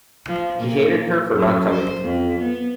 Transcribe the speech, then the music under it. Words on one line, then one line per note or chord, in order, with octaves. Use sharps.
He hated her for not coming.
F3
A#2
F#2
C5
F2
B3